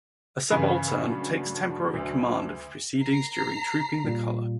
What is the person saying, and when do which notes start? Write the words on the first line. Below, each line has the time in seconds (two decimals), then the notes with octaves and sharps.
A subaltern takes temporary command of proceedings during Trooping the Colour.
0.50 G2 C#3 E3
0.99 F#3 A3 D4
1.94 D2
3.03 A#5 C7
4.04 A#2 G3